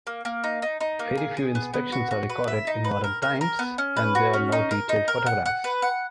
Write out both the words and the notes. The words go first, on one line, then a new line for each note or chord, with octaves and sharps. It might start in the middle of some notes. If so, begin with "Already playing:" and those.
Very few inspections are recorded in modern times and there are no detailed photographs.
A#3
A#3
D#4
D#4
D#4
A#3
G#4
G#4
B3
B3
F#4
F#4
B4
E5
D#4
B4
A#4
A#4
A#4
B3
C#4
B4
F#4
C#4
D#4
A#4
D#4
A#4
F#5
F#5
B4
F#5